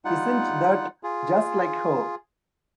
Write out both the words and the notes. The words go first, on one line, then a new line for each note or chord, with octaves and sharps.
Isn't that just like her?
G3 D#4 F4 F#5
F4 G#4